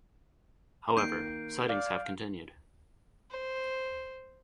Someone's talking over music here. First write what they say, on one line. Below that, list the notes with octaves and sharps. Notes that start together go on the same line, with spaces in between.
However, sightings have continued.
D#3 A#3 G6 C7 D7
D5 F5
C5